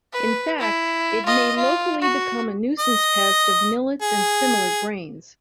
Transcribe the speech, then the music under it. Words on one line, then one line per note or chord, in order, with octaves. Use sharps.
In fact, it may locally become a nuisance pest of millets and similar grains.
B4
E4
F4 D#5
F4
F#4
D#5
G#4